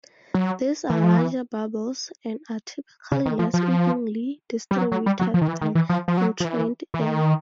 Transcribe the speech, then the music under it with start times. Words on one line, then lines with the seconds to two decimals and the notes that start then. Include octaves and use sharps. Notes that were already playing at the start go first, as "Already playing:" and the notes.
These are larger bubbles, and are typically less evenly distributed than entrained air.
0.34 F#3
0.90 E3
1.04 F3
1.17 E3
3.12 C#3
3.26 D#3
3.39 F3
3.54 F3
4.71 G3
4.78 F#3
4.92 F#3
5.06 G3
5.20 F#3
5.34 F3
5.41 D#3
5.48 E3
5.61 D#3
5.75 E3
5.89 F3
6.08 F3
6.17 F#3
6.40 F3
6.45 E3
6.94 E3
7.01 D#3